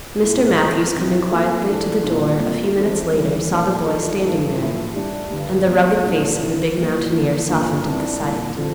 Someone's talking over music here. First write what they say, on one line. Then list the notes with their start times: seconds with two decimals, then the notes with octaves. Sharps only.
Mr. Matthews coming quietly to the door a few minutes later saw the boy standing there, and the rugged face of the big mountaineer softened at the sight.
0.23 A#2 A3 E4
0.58 E3 A3 C4 F4 A#4
0.95 C2 C3 F3
1.31 F3 A#3 F4 A4 E5
1.68 E3 G3 D4 A4
2.03 C2 A#2 G3 D4 F4
2.39 D2 C3 G3 A#3 F4
2.76 E3 A3 C4 E4
3.12 E2 E3 G3
3.49 A#2 A3 D4
3.85 F3 A3 D4 A4
4.21 G2 E3 A3
4.58 A2 F3 A#3 E4
4.94 A2 G3 D4 G4
5.30 G2 D3 G3
5.67 C3 F3 A#3
6.03 C2 A#2 A3 D4
6.39 C2 C3 E3
6.76 E3 G3 A#3
7.11 E3 A#3 D4
7.48 G2 D3 F3 A#3 F4
7.83 C2 C3 G3 D4
8.20 A#2 G3 A#3 E4
8.57 D3 F3 C4 F4 A4